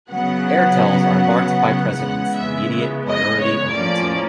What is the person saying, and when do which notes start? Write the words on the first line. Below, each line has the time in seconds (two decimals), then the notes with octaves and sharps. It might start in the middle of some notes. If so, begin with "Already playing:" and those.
Airtels are marked by precedence: immediate, priority, or routine.
0.10 C#3 F#3 B3 F#5
1.90 C#3 E3 G#3 B3 F#5
2.35 E5
3.10 D#5
3.40 C#5
3.70 A2 F3 A#3 C#4 D5